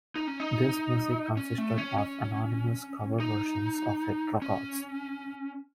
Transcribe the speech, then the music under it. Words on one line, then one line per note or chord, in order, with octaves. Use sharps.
The music consisted of anonymous cover versions of hit records.
D#4
C#4
D#4
C#4
A3
C#4
C#4
D#4
C#4